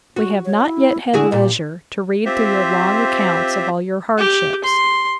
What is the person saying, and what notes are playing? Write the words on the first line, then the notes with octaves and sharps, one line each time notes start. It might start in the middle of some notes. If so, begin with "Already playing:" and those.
We have not yet had leisure to read through your long accounts of all your hardships.
F#4
C#5
E4
D3 E4 F#4 G#4
A#2 G4
C4 F4 G4 C5 E5
G4
C6